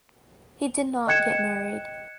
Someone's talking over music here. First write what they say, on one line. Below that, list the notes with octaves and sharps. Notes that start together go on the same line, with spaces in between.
He did not get married.
D#5 G5 F#6 G#6 C#7 E7